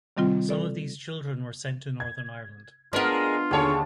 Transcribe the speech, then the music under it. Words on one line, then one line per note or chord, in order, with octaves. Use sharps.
Some of these children were sent to Northern Ireland.
C3 D#3 G3 C4 F4
A4 D5
G#6
G#3 B3 D4 F4 A#4
D#2 D3 G#4 C#5 A5